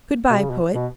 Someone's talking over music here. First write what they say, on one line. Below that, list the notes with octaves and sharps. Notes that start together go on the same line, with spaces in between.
Good-bye, poet.
B2
C#3
B2
B2